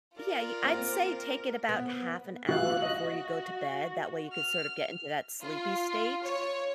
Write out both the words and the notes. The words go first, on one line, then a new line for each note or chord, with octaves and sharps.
Yeah, you I'd say take it about half an hour before you go to bed, that way you could sort of get into that sleepy state,
F4 A#4 D5
A#3 C4 C5
B3
F#4 E5 F5 F#6
F#4 D#5
F6
F4
C#5